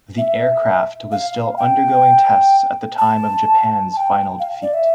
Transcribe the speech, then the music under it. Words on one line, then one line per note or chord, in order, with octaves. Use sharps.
The aircraft was still undergoing tests at the time of Japan's final defeat.
E5
F5
G5
A5
A5
G5
F5
D5
E5